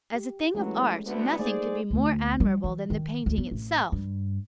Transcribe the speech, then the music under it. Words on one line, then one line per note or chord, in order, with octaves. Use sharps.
As a thing of art nothing could be more admirable than the painting itself.
G4
E3 F#3 G#3 A3 C#4
D2 B3
A3 A#3 D#4 G#4 C5 D5
D2
G3
E3
D#3
D2
B3
A1
G2